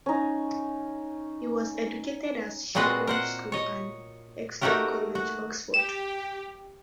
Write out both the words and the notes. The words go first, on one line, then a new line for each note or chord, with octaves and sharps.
He was educated at Sherborne School and Exeter College, Oxford.
C#4 D#4
A#2 G#3 C4 F#4 B4 D#5
A#4 C5 F#5
C#5 D#5
A3 A#3 D#4 F#4 G4 A#4
F#4
G4 E7